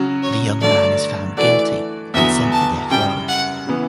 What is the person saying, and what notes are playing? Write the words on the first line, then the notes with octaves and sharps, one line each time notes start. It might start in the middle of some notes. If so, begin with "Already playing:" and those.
The young man is found guilty and sent to death row.
Already playing: C#3 F#3 C#4 F#4
C#5
G2 D3 F#3 A3 D5
E3 A3 D4 F#4 A4 D5
E2 D3 F#3 B3 E5
A5
F#2 C#3 G3 G5
F#5
C#3 E3 B3